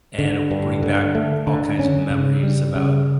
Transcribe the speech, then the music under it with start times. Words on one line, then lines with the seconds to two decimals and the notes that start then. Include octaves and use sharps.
and it will bring back all kinds of memories about
0.18 D3
0.51 G2
0.83 D3
1.15 A3
1.47 D3
1.79 C#4
2.10 C#3
2.43 G3
2.75 C#3